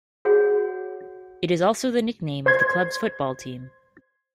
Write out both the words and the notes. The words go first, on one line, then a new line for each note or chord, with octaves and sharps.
It is also the nickname of the club's football team.
F#4 G#4 C#5 F#5
C5 C6 G#6